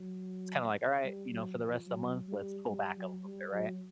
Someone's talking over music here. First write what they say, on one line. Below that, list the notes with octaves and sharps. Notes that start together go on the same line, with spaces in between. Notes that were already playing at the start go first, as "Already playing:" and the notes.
it's, kinda like, "Alright," you know, "for the rest of the month, let's pull back a little bit," right?
Already playing: F#3
G3
F#3
F3
F#3
G3
G3
F#3
G3
F#3